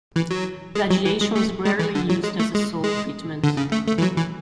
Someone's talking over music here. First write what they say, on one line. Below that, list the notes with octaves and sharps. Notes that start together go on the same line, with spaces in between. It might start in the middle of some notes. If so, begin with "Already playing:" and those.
Radiation is rarely used as a sole treatment.
E3
F#3
G#3
F#3
E3
G#3
A3
G#3
E3
D3
F#3
G#3
A3
G#3
G#3
D3
C#3
A3
A3
E3
F#3
E3